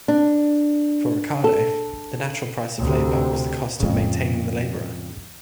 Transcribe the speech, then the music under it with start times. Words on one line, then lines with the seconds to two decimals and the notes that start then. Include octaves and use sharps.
For Ricardo, the natural price of labor was the cost of maintaining the laborer.
0.08 D4
1.44 A4
2.80 D2 C3
3.80 F2 A2 C#3 G#3